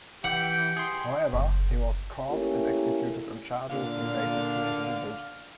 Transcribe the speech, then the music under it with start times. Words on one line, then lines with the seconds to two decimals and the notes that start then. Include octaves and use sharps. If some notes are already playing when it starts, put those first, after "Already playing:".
However, he was caught and executed on charges related to his visit.
0.24 E3 G4 F#5 G5
0.77 G#4 C6
1.33 F#1
2.30 A3 A#3 C#4 E4 G4 A#4
3.70 A#2 D3 F5